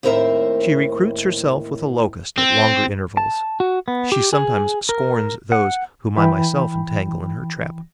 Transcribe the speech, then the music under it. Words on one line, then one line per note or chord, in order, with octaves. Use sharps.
She recruits herself with a Locust at longer intervals; she sometimes scorns those whom I myself entangle in her trap.
D#2 A2 C4 A#4 C5 E5
C4
A5
F#4
B3
G4
G#4
A#4
F#5
E3 G5 B5